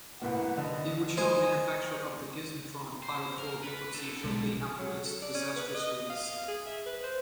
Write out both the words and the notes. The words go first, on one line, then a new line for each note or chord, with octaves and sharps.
The original manufacturer of the Gizmotron filed for bankruptcy shortly after its disastrous release.
C2 A2 A#3 B4 F#5
D#2 D3 B4 D#5
C5 D#5 G#5
C5
A#4
B4
D#3 A4
B1 B2 G#3
F#3
A4
D5
C#4
B4
D#5
F5
G#4
E5
B4
C5